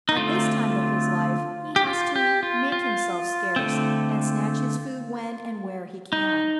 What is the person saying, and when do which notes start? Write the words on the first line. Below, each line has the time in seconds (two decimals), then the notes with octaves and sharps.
At this time of his life he has to "make himself scarce," and snatch his food when and where he can.
0.09 D#4
0.17 D3 A3 C4 F4
1.76 G4
1.87 F4
2.16 G4
2.43 F4
2.72 F4
3.56 D3 A3 C4
6.13 D#4